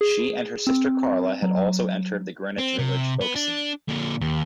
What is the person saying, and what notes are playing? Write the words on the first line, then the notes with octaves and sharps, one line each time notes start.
She and her sister Carla had also entered the Greenwich Village folk scene.
G#4
C4
F#3
C4
C3
B3
D4
A#2 D3
D#2